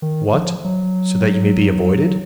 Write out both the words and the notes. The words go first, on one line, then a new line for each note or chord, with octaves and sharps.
"What! so that you may be avoided?"
D#3
F3
F#3